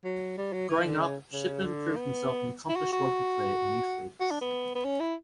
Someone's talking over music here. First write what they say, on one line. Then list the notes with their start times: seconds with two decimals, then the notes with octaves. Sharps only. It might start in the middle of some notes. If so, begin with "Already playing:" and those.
Growing up, Shipman proved himself an accomplished rugby player in youth leagues.
0.05 F#3
0.38 G3
0.53 F#3
0.69 E3
0.85 D3
1.01 C#3
1.33 C#3
1.65 D3
1.97 B3
2.69 E4
2.76 F#4
2.93 F#4
4.20 F#4
4.31 D4
4.41 B3
4.75 B3
4.85 C#4
5.00 E4